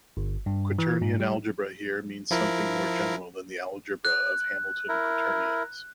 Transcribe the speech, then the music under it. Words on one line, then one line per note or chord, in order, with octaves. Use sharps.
"Quaternion algebra" here means something more general than the algebra of Hamilton quaternions.
G1
G2
E3
G#2
G3
F3 E4 A#4
F#6
E4 A#4